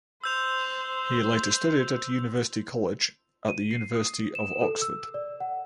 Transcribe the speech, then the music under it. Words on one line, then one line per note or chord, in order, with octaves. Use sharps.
He later studied at University College at the University of Oxford.
C5 E6 G6 F7
D#7
C7
D#6
E7
A4
E6
D5
F#5